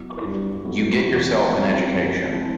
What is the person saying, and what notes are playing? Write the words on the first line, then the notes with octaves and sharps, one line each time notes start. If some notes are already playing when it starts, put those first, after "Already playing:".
You get yourself an education.
Already playing: F#3 B3 E4
G2
F2 F#3 B3 E4
E2
F2 F3 G#3 C4 E4
F#2
F3 G#3 C4 E4